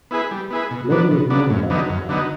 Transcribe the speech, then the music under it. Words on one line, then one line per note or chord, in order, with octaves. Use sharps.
Little is known about his life.
B3 E4 G#4 B4
G3
B3 E4 G#4 B4
B2
F#3 B3 D4
B2
F#3 B3 D4
F#2
D3 F#3 B3 D#4
F#2
D3 F#3 B3 D#4